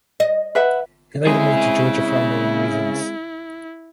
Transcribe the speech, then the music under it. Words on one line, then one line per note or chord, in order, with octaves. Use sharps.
He later moved to Georgia for unknown reasons.
D#5
B4 E5 F#5
C#3 G#3 C4 E4 G#4 D#5 E5